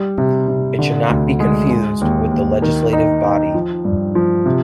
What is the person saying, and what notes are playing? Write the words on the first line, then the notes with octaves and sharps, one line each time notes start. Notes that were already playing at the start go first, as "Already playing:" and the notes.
It should not be confused with the Legislative body.
Already playing: G3
C3
C3
D3
D2
G#3
G#3
D#2
D#2
D#3
D#4
D#4
F3
G2
F3
C3